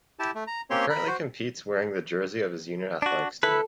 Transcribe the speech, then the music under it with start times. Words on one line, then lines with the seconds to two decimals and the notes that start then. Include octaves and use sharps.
He currently competes wearing the jersey of his unit athletics team.
0.19 E4 G4 A5
0.35 A3
0.47 A#5
0.70 A#3 C4 C#4 G4 C#5 C6
0.90 A#4 B5
1.08 F#4 C5
3.02 D4 F#4
3.43 E4 A4 B4